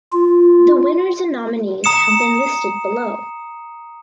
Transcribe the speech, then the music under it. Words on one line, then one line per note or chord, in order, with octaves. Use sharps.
The winners and nominees have been listed below.
F4
A#5 D#6 C#7 E7